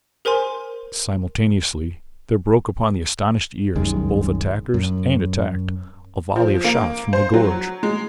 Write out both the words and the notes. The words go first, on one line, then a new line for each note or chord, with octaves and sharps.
Simultaneously there broke upon the astonished ears of both attackers and attacked a volley of shots from the gorge.
G#4 A#4 C5 G#5 C6
C2 F#2 D#3 G#3
F#2
F3
A#3
C5
F#3
G#3